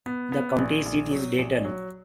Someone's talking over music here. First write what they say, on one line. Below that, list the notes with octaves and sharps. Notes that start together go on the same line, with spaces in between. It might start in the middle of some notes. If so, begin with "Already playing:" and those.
The county seat is Dayton.
B3
B3
A#1
A#1
F#3
A#1
F#3